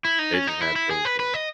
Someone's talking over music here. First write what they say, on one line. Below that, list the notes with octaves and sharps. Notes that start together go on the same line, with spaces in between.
They just had those, uh
E4
D#4
C#4
D#4
E4
E4
G#4
B4
B4
D#5